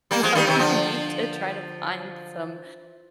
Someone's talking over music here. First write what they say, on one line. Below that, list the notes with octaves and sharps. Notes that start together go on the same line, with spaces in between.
"Well, you need to try to find some,
G3 A#3
F3 G#3
D#3 G3
C3 D#3
D3 F3